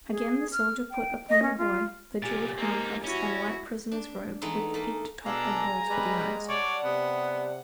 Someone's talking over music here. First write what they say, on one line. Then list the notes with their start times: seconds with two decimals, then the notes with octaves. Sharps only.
Again the soldier put upon the boy the jeweled handcuffs and white prisoner's robe with the peaked top and holes for the eyes.
0.10 G#4
0.52 F6
0.91 G5
1.29 D#5
1.42 C#4
1.58 F4
2.22 C2 A#2 G4 G#5 A6
2.58 A#3 C4 D#4
3.04 C#4 E4 F#4
3.92 D4
4.41 E3 G#3 A3 B3 D#4 E4
4.74 A3 A#3
5.26 B2 D4 G#4 A4 F5 G#5 A#5
5.89 G3 G#3 B4
6.49 G3 D4 C#5 D5 F#5
6.84 C3 B3